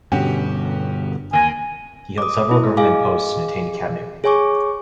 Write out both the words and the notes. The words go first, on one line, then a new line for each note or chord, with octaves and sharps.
He held several government posts and attained Cabinet rank.
G2 B2 D3 C#4 F#4 G4
D#2 G#5 A#6
D6 D#6
E4
G#4 D#5 F5 G#5 D6
G#4 C#5 G#5 C#6 D6